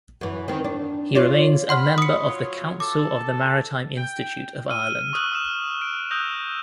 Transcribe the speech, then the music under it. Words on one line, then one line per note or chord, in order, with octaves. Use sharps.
He remains a member of the Council of the Maritime Institute of Ireland.
F#2 E3
D#3 C4
D4
F4 C#5 D5
G#2 F#5 B5 C6 F6
D#6 C#7
F#3 F4 C#5
A4 A5 D6
G5
E6 F6 D#7
C#6 D#6 F6 F#6 F#7
D#6 F6 E7
F6 D7 E7
D#6 E6 F#6 G6 A#6 F7